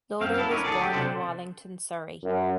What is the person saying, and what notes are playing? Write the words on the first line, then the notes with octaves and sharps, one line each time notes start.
Loader was born in Wallington, Surrey.
F#2 C4 F5
F#3 E4 A4
D#4 E4 A#4 B4 C#5 D5
D2 C3 G#4 A4 D5
G4
C3 D4 A4 C5
F#2